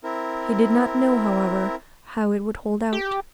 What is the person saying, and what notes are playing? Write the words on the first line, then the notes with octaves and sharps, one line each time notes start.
He did not know, however, how it would hold out.
C4 E4 A#4
G4